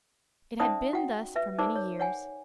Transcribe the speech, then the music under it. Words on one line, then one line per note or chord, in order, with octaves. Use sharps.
It had been thus for many years.
C#4 D#4 C5 D5 E5 D#6
F#4 F#5 G5
B4 E5
D#4 A#4 C5 D5 D6
C#5
C#5 F#5 G#5